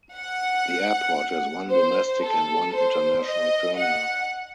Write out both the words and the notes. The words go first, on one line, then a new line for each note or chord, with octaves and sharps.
The airport has one domestic and one international terminal.
F#5
C5
A4
C5
D#5
F#5